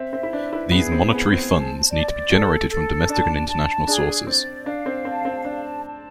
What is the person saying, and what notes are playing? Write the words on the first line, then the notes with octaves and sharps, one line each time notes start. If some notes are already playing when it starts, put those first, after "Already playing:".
These monetary funds need to be generated from domestic and international sources.
Already playing: C4 E5
C4
E4
D4 B4
E4
B3 G#4
C4
B3 G#4
B3
C4
A5
D5
A4
A4
D4 A5
A5
D4 G#4
C4 D5
D4 F5
C4
C4 A5
C4
D4 A5
A5